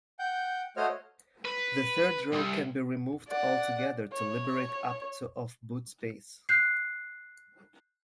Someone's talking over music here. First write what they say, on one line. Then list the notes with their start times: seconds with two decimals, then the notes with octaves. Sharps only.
The third row can be removed altogether to liberate up to of boot space.
0.19 F#5 G5 G6
0.77 A3 F#4 C5 C#5 D#5 F6
1.45 B4
2.33 C2
3.28 D5 F#5
4.13 C#5
6.49 F#6 G6 C7